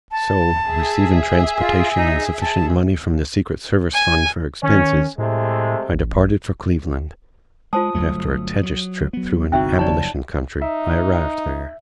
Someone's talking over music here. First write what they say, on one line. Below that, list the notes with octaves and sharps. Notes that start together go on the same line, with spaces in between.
So, receevin transportashen and suffishent money from the secret service fund for expenses, I departed for Cleveland, and after a tejus trip thro' an Ablishn country, I arrived there.
A5
G#4 E5
F4
D#4
A5
G#5
D#3 C#4
A2 C3 G#3 A3
A1
G#3 F4 C5 A5 D#6
G1 F#3 A3
F#3
F#3 B3
G1 C2 C4 D#4 F#4 E5 G5
F#1 F3 D#4 C#5 D5 A5
D#4 E5